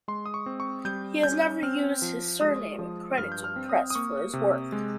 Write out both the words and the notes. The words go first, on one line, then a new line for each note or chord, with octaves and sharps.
He has never used his surname in credits or press for his work.
G#3 C6
D#6
C#6
C4
C#6
G3 G6
C#4 G6
G6
C4 F6
F3
G#3 D#6
F3
G2 F6
G6
F6
C4
D#6
D#6
A#3 C#6
C3
G#3